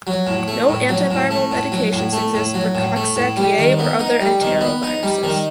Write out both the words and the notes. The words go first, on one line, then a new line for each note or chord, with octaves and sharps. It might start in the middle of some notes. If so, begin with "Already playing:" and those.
No Antiviral medications exist for Coxsackie A or other Enteroviruses.
F#3
A2
A3
A2
F#3
A2
A3
A2
F#3
A2
A3
A2
F#3
A2
A3
A2
G3
D#3
B3
D#4
G3
D#3
B3
D#4
G3
D#3